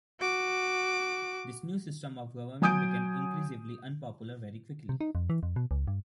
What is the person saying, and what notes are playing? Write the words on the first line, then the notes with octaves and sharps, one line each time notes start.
This new system of government became increasingly unpopular very quickly.
F#4 D6
F#3 G#5 D#6 G6 D7
C3
D#4
F2
E3
F2
B2
C#2
G2